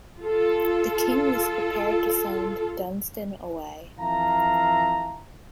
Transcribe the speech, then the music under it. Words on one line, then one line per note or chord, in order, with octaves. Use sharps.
The king was prepared to send Dunstan away.
F4 A4
F2 E3 E5 F5 A5 A#5